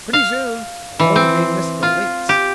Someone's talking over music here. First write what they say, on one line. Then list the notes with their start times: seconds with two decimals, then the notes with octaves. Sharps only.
Pretty soon along came Mr. Lynx.
0.13 F5
1.00 E3
1.16 C4
1.83 F4
2.29 G4